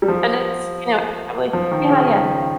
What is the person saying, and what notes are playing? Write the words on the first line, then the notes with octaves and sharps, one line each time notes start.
And it's, you know, probably Yeah, yeah.
G3
F3
F3
D#3
C#3
D#3